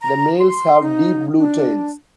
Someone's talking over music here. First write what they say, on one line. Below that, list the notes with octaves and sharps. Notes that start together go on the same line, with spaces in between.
The males have deep blue tails.
A#5
C6
D#4
D4